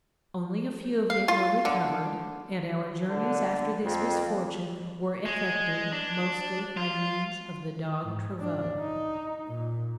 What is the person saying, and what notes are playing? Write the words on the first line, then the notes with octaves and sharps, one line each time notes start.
Only a few of them were recovered, and our journeys after this misfortune were effected mostly by means of the dog-travaux.
F5
F4
D3
D3
F2
G#3
D4
F4
G#2
D4
D#4
A#2